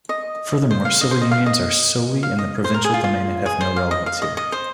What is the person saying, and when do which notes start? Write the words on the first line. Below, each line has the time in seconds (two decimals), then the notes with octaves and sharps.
Furthermore, civil unions are solely in the provincial domain and have no relevance here.
0.09 D#5
0.71 C5
0.85 F5
1.01 D#5
1.11 C5
1.21 D#5
1.31 F5
1.46 D#5
2.23 F5
2.39 D#5
2.64 C5
2.74 A#4
2.84 G#4
2.94 F4
3.04 F4
3.46 G#4
3.61 C5
3.76 F5
3.91 D#5
4.06 F5
4.22 D#5
4.37 D#5
4.52 C5